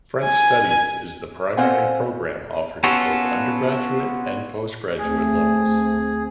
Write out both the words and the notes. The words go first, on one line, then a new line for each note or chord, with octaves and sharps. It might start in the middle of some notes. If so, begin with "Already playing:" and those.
French Studies is the primary programme offered at both undergraduate and postgraduate levels.
G#5
C4 A4 C5 F5 F#5 G#5
B3 C#4 F4 F#4 A4
D2 A3 C4 G#4